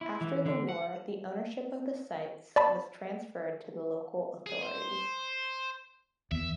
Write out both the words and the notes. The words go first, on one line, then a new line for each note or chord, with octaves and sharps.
After the war the ownership of the sites was transferred to the local authorities.
E4
E3
D3
F#5
D5 A5 B5
G#4
C5
E2 E5